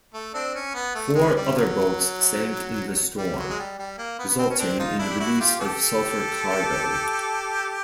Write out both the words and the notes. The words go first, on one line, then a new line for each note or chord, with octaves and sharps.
Four other boats sank in the storm, resulting in the release of sulphur cargo.
A3
C4 D4
C#4
B3
A3
G#3
G3
F#3
G3
F#3
G#3
G3
G3
A#3
B3
B3
C4
C#4
C4 D4
D#4 F4
D4 E4
G4
E4 F#4
F4 G4
G4 A4